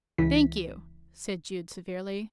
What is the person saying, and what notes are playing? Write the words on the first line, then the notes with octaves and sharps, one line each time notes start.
"Thank you!" said Jude severely.
C#2 E3 E4 B6